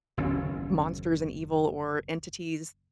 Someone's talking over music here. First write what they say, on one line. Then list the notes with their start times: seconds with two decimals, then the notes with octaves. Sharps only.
m monsters and evil or entities,
0.17 F#1 D#2 B2 C#4